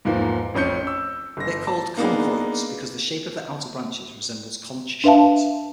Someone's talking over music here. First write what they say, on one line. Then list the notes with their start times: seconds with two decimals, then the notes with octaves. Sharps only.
They are called conchoids because the shape of their outer branches resembles conch shells.
0.05 E2 G#2 F3 A#3
0.54 A1 F2 C#4 G6 C#7
0.87 E6
1.37 G1 A#6
1.67 A5
1.97 A#3 B3 D4 D#4 G#4
5.04 D4 B4 E5 F5 A5